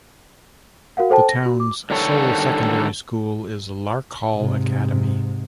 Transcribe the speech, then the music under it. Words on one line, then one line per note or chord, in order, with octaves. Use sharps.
The town's sole secondary school is Larkhall Academy.
F#4 A#4 F5 F#5
A4 C5 G5 A5
A#6
F#4
D6
G2 D3 D#3 A4 C#5
G#2 C3